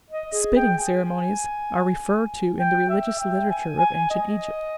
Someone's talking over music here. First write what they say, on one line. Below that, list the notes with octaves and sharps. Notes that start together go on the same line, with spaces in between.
Spitting ceremonies are referred to in the religious literature of Ancient Egypt.
D#5
G#4
G5
G#5
G5
E5
G5
G#5
G#5
D#5